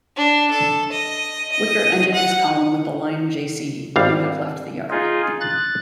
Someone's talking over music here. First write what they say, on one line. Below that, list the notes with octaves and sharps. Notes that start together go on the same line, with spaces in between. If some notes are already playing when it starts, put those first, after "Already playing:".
Whicker ended his column with the line Jaycee, you have left the yard.
D4
A4
D#5
D#5
F#5
G#1 G3 F5
D#4 F4 G#4
F#6 A6